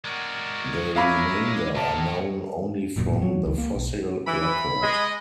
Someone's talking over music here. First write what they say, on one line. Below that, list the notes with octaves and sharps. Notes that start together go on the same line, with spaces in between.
The remainder are known only from the fossil record.
G#3 F#4 A#4 D5
G#3 A#4 C#5 E5 F5 B5 D6
A2 G#4 A#4 A5
D1 F#2 A#2
F#3
C#2
A#3
B1
E3 B5
G#3 D#5